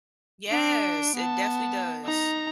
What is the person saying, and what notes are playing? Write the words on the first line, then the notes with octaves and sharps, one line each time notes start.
Yes, it definitely does.
D4 D7
B3 A5
D#4 A#5